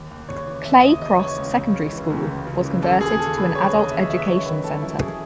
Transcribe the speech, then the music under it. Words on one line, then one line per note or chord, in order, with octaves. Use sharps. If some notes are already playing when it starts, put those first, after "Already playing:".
Clay Cross Secondary School was converted to an adult education centre.
Already playing: D#2
D#2
C#3 C#5
E3
D#2 E5
D#2 D#5
C#3 D#5
E3 C#5
C#2
C#2
C#3
E3
C#2
C#2
C#3
E3
D#2 A4
D#2 G#4
C#3 A4
E3 B4
D#2 C#5
D#2 D#5
C#3 E5
E3 E5
F#2 C#5
D#3 B4
D#3 A4
F#2 E4
F#2 G#4